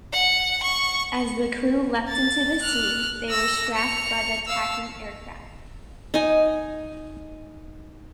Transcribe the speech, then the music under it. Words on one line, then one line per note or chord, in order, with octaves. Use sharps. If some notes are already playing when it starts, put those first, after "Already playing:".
As the crew leapt into the sea, they were strafed by the attacking aircraft.
F#5
C#6
A6
F6 F#6
E6 A#6
C#7 F7
F5 E6
D#4 G#5